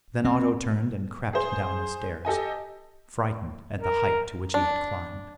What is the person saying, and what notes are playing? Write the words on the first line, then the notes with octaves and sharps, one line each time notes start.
Then Otto turned and crept down the stairs, frightened at the height to which he had climbed.
C4
G#4 C5
G4 A4 D#5 G#5
A#4
D4